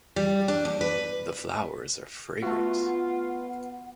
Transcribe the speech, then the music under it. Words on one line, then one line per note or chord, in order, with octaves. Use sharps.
The flowers are fragrant.
G3
D4
D#2
B4
A3 B3 F4 F#4 F#5